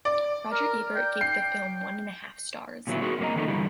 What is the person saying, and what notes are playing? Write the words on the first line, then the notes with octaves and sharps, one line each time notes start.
Roger Ebert gave the film one and a half stars.
D5
A#4
G5
C7
A#2 D3 F#3 B3 E4
C4 F#4 G#4 A#4
F#2 A#3 C#4 D#5 A#5
D#3 F3 A3 B3 D#4 A4
G2 D3 E3 G3